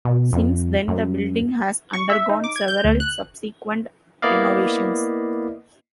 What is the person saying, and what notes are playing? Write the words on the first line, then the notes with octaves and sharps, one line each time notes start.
Since then, the building has undergone several subsequent renovations.
B2
F2
F#2
C#6
E5
D#4
D6
G#6
G6
D2
F#6
A#3 B3 E4 D5 D#5 F5